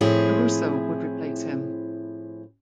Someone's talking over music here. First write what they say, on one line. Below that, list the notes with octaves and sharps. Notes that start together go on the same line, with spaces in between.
Caruso would replace him.
A2 F3 C4 E4 G#4